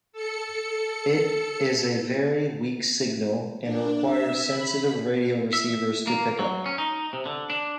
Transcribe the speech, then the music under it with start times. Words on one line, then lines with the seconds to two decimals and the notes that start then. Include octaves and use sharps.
It is a very weak signal, and requires sensitive radio receivers to pick up.
0.12 A4 C#7
3.61 D4
4.04 E5
4.48 B5
5.53 E5
6.07 A#3
6.39 F#3
6.66 C#4
6.78 D#4
7.13 C3
7.26 D3
7.50 D4